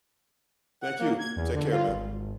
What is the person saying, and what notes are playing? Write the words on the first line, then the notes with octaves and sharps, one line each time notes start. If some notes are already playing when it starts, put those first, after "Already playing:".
Thank you, take care, man
F#5
A#3
G#6
E2
D3
F4
G#1